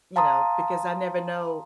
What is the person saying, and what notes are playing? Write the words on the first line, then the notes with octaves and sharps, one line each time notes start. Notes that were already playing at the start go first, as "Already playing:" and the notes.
you know, because I never know
F5 A5 A#5 C6 D#6